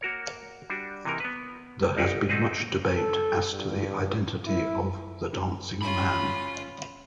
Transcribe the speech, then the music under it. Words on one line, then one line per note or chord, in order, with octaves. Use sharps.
There has been much debate as to the identity of the dancing man.
A#3 F#4 A#4 C#5
G3 D4 F#4
C3 E3 A#3 D#4 A#4
B3 B4
G1 C2 D#4 G4 G#4 F#5
A3 C4 D#4 F#4 G#4 B4
A4
G2
E4
C#4 F4 B5